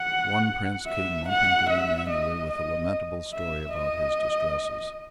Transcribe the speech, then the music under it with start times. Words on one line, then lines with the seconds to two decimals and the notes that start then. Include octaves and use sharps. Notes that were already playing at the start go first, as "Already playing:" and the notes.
One prince came mumping to them annually with a lamentable story about his distresses.
Already playing: F#5
0.87 E5
1.29 F#5
1.69 E5
2.10 D#5
2.51 D#5
3.33 E5
3.73 D#5